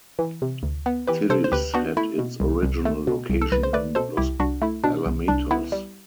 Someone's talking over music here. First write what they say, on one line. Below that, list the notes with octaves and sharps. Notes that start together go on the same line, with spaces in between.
Tilly's had its original location in Los Alamitos.
E3
C3
D2
B3
E3 G4 B4
C3 A4 C5
C5
D2 G4 B4
B3 D4 F#4
A3 E4
B2
C2
C2
A3
B2
C2
A4
C2 B4
C5
A3 B4 D5
B2 A4 C5
C2 E4 G4
C2 D4 F#4
A3 E4
B2 D4
C2
C2 D4
B3 E4
G3